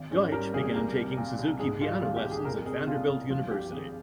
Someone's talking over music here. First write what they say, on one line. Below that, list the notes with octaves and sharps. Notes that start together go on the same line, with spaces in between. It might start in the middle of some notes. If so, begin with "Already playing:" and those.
Deutsch began taking Suzuki piano lessons at Vanderbilt University.
Already playing: G#1
G#2 C#4
G3 A#4
G#1 G#4
G3 A#4
C2
A#2
C2
G#2 G#4
G3 F4
G#1 F4
G4
G#1
G#4
C2 A#4
C3 G#4
C2 F4
C2
F3 F4
G2 G4
G#1 G#4